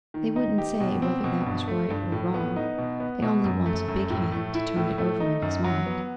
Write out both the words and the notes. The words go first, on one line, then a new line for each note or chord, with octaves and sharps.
They wouldn't say whether that was right or wrong; they only wanted Big Hand to turn it over in his mind.
D#3
D#4
G4
B2
C4
B2
G2
A3
G2
A2
B3
D#4
B2
B3
B2
F#2
A3
F#2
A2
A3
E4
A2
A3
D#4
F#2
F#3
B3